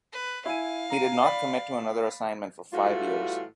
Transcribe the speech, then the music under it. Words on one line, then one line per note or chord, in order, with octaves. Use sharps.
He did not commit to another assignment for five years.
B4
E4 F5 G#5 D#7
A#5 D#7
D5 B5
A2 E3 G3 F4 F#4